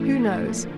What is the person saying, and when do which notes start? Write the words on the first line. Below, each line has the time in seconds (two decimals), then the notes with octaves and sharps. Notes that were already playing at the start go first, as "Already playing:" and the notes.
Who knows?
Already playing: A2 E3 A3 C#4 E4
0.37 D3 F3 A#3